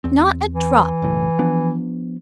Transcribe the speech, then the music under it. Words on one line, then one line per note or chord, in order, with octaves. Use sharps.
'Not a drop.
E2 C4
E3
F#1 B1 A2
F3 B3 D4